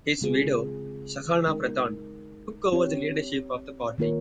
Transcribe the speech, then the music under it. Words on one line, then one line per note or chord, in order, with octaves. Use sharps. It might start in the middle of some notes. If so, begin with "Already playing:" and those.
His widow, Sahana Pradhan, took over the leadership of the party.
C#3 G#3 C4 F4 G#4
G#3 D#4 A#4
C4 G4 C#5
D#3 A#3 F4 A#4 C#5